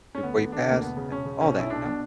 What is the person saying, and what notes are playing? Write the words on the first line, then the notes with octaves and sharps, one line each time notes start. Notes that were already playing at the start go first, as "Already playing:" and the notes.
before he passed, and all that, you know?
C#4
D2 B3
D3
D3 D4
D2 A#3
E1 B3
C#3
E1 C#4
C#3
B1 C#4
B1 E4
B1 D4
B2 D4